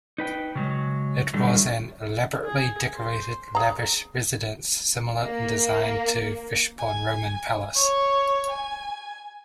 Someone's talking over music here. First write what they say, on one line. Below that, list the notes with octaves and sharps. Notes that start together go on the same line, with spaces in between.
It was an elabotrately decorated lavish residence similar in design to Fishbourne Roman Palace.
D#4 B4 G5
C#3 F#3 G#3
A2 D3 D#3 F#3 G3 A3
G#4
C5
G#4 A#5
A#3
G#5
C#5
G#5